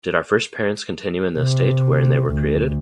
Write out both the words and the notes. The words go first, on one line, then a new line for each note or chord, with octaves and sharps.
Did our first parents continue in the estate wherein they were created?
C3
D2